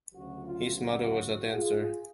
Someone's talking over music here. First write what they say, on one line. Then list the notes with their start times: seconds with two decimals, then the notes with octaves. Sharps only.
His mother was a dancer.
0.14 D2 C#3 F#3 F#4
0.45 F4
0.75 F#4
1.08 F#4
1.53 F4 G#4